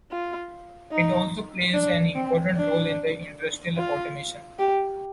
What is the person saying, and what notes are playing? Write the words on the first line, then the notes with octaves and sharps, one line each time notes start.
It also plays an important role in industrial automation.
F4
D#4
D4
C4
D4
F4
G4